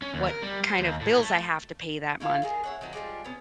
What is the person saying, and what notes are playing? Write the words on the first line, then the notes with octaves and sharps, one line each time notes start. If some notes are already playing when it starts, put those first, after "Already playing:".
what kind of bills I have to pay that month,
C#4
D#2
A#4
G3
C5
D#2
A2
A3
A3 E4 F4 F5
D#3 G#4 A#4
E4 C#5 F#5
D#3 F3 F#3
F3 G3 G#3 D4
B3 C#4